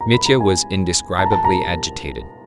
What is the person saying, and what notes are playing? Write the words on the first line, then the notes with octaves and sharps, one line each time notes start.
Mitya was indescribably agitated.
A#5
B5
A#5
G#5
A5
A#5
A5
A#5